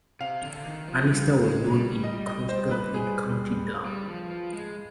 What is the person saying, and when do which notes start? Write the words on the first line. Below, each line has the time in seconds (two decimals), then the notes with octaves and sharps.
Allister was born in Crossgar in County Down.
0.20 C3 F5
0.43 D3
0.66 D#3
0.88 F3
1.12 G3
1.42 G#3
1.73 G3
2.03 D#5
2.26 D#5
2.49 C5
2.71 B4
2.94 G#4
3.86 G3
4.08 F3
4.31 F3
4.54 G#3